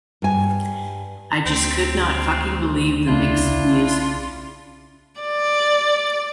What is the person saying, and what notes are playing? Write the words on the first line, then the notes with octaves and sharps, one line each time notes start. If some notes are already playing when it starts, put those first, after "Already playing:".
I just could not fucking believe the mix of music.
G2 G#5
D2 C4
B1 C#3 A3 D4 E4 F4
D5